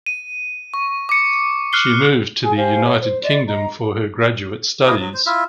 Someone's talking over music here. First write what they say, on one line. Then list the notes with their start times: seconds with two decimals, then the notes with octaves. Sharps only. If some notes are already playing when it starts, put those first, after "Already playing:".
She moved to the United Kingdom for her graduate studies.
0.06 D#7
0.74 C#6
1.09 D6 C#7
1.73 F6 F#6 C7 G7
2.42 G#4 G#5
2.56 G4 C5 F5 G#5
2.84 C#5 E5
3.02 C5
3.23 D5 D#5 C6
3.47 D#5 A#5
4.87 A#3 E4 G#4 D#5
5.00 F#3
5.14 C5
5.26 E4 F4 E5